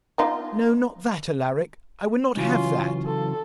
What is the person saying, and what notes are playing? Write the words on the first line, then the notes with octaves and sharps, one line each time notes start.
'No, not that, Alaric; I would not have that.
B3 D#4 F4
C#3 E3 F#3 C#4 F4
A4